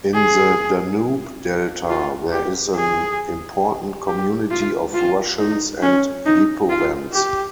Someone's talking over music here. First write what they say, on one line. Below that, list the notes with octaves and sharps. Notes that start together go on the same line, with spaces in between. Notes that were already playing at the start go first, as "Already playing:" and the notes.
In the Danube Delta there is an important community of Russians and Lipovans.
G#4
F4
G4
G#4
G4
F4
F4
D#4
C#4
D#4
F4
G4